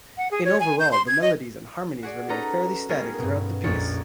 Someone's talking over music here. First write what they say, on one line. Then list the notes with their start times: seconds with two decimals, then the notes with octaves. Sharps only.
In overall, the melodies and harmonies remain fairly static throughout the piece.
0.18 F#5
0.31 G#4
0.45 C#5
0.60 G#5
0.80 G6
0.92 C6
1.08 G#6
1.22 D#5
2.03 F#4 G#4 D5
2.29 C#4 D#4 A4 B4 A#5 F#6
2.89 G3 G#3 B3 C#4 G#4 A#4
3.18 G2 B2
3.64 A#1 F2 A#2 C#5 A6